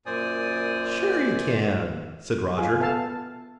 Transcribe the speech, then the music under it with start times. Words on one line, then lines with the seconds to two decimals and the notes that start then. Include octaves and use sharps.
"Sure you can," said Roger.
0.06 F#2 A#2 C5 D5 G#5 D#6
2.58 F4 G#4
2.80 B3 A4 F5 A5